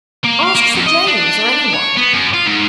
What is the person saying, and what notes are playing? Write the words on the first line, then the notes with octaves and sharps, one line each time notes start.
Ask Sir James or anyone.
A#3
F5
A#3
F2
D#5
D4
C#5
B3
F#2
F4
G#2